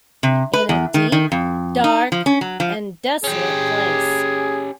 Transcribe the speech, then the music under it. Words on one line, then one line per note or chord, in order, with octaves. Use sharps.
In a deep, dark and desolate place.
C3
B4
E2
D#3
D#3
F2
D#4
F3
C#4
F#3
F3
C#4 G4 G#4